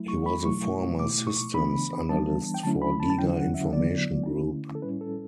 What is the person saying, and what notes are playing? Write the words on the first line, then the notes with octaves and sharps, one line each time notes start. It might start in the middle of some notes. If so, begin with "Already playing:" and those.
He was a former systems analyst for Giga Information Group.
Already playing: F#3 A3 E4
C#6
B5
B2 F#3 A3 E4 C#6
B2 A3 E4 D6
C#6
E3 B3 D4 B5
E3 G3 B3 D4 A5
G5
D3 F#3 A3 C#4 E4 A5
B5
A5
A5
D3 F#3 C#4 E4 G5
F#5
E5
D3 F#3 B3 E4 D5
D3 A3 C#4 E4
A4
A2 G3 C#4 E4 B4
A4